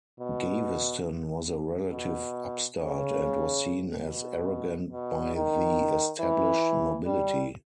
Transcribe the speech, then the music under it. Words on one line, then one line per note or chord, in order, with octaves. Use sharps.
Gaveston was a relative upstart, and was seen as arrogant by the established nobility.
B2
B2
C#3
B2
B2
D#3
E3
G3